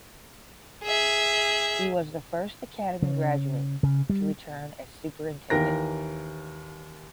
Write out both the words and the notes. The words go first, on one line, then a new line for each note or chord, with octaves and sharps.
He was the first Academy graduate to return as superintendent.
G#4 E5
C#3
C#3
G3
D#2 E3 D#4 A#4 G5 A#6